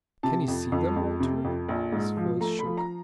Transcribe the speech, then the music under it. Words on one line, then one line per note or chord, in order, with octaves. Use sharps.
"Can you see them, Walter?" His voice shook.
C3 A5
F2
F2
F2
C3
F2
A#1
G#2
F3
A3 A#5
B5
F3
A#5